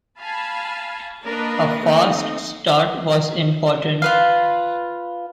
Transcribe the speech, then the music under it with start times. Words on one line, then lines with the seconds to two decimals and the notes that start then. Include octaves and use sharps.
A fast start was important.
0.20 F5 G#5 A5 B5
1.25 A#3 D4 A#4 B4 D#5
1.82 A3 A#3 C4 D#4 D#5
4.02 F4 B4 F5